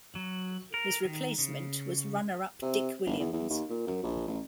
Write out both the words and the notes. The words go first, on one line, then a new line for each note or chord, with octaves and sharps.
His replacement was runner up Dick Williams.
F#3
A#4
D#3
C#3
C3
G1
E2
E2
D#2
A#2
F#2
A#1
A1